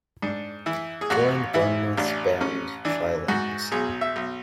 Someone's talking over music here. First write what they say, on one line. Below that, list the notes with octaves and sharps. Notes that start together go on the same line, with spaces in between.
Joined Bournemouth's band Shy Limbs.
G#2 D4
E3 E4
G#4
A1 F#4
E3 E4
A1 D4
A1 C#4
E3 D4
G#2 F#4
B1 G#4
E5
B1